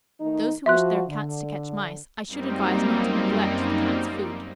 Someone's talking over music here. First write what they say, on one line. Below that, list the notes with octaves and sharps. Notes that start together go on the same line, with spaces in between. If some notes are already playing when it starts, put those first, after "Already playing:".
Those who wish their Cats to catch mice, I should advise not to neglect the Cat's food.
D#3 A3 D#4
F3 F#4 E5 C6 F#6
D3
F#2 G3 A#3 C4 D#4